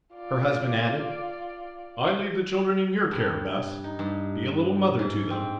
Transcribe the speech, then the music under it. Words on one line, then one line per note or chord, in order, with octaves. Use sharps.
Her husband added: "I leave the children in your care, Bess; be a little mother to them."
F4 D5
G2
D#4
G2
G#2
C4